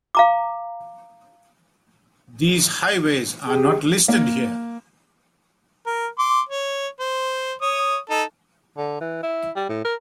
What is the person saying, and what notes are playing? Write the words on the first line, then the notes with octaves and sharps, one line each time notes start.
These highways are not listed here.
F5 A#5 D6
G4 G#4
A#3
A#4
C6 D6
C#5
C5
C#5 D#6
D#4 A4
D3
E3
E4
G3
A2
A#4